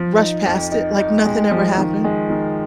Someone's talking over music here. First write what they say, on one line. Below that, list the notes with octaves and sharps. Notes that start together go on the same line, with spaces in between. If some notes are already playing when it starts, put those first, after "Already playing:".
rush past it like nothing ever happened.
Already playing: F3
D#4
F2
D#4
D#4
G#3
F3
D#3
G#3
D#3